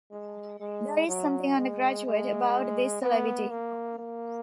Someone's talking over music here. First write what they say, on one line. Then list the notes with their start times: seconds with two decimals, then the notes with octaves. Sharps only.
There is something undergraduate about this levity.
0.12 G#3
0.60 G#3
1.08 F#3
1.57 G#3
2.06 G#3
3.02 B3
3.50 A#3
3.99 A#3